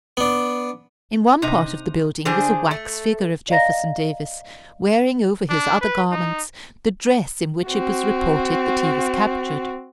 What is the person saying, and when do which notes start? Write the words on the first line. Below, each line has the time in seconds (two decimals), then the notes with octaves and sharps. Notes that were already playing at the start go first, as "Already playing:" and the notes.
In one part of the building was a wax figure of Jefferson Davis, wearing over his other garments the dress in which it was reported that he was captured.
0.17 B3 D4
1.42 C3 D#4
2.25 D3 D4 G4 G#4 C5 G#5
2.71 A3
3.49 D5 D#5 F5 A#5 A#6
5.49 D4
5.81 B4
6.11 D#4
7.67 C4 F#4